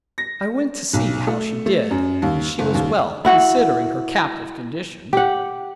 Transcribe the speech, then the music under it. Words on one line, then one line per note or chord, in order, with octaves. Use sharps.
I went to see how she did, and she was well, considering her captive condition.
A#6
B1
A3
A3
F#2
D#2
F#1
D#2
E4 F#4 F#5
G4 F#5